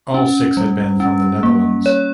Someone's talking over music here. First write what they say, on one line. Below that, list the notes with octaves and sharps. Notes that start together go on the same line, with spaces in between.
All six have been from the Netherlands.
C#4
G3
C#4
A#3
C#5